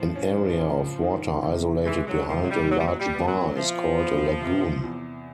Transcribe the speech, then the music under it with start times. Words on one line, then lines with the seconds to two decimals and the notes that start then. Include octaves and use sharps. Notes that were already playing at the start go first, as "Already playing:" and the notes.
An area of water isolated behind a large bar is called a lagoon.
Already playing: A2 F3
0.15 C#4
0.58 C#4
1.01 D#3
1.43 C3
1.86 E3 G#3
2.07 F#3
2.28 C3 F3
2.42 F#3
2.50 G3
2.71 A#2 F#3
2.79 G3
2.87 F#3
2.99 G3
3.14 B3
3.28 F#3
3.56 F3 E4
3.99 B3
4.41 C3
4.84 E2